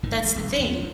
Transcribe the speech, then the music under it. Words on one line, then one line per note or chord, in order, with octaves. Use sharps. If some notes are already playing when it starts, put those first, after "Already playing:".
that's the thing.
G1 A2 D#3
A1 G#3
E1 A#1 E2
B1
D#2 G3 B3
D3 D#3